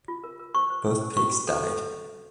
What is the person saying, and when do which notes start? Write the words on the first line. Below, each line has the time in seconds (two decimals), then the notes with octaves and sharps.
Both pigs died.
0.08 F4
0.24 A#4
0.39 A#4
0.55 C5 C#6
0.70 C5
0.86 C#4
1.01 C5
1.17 C#4 C#6
1.32 F#4
1.47 A4
1.63 A4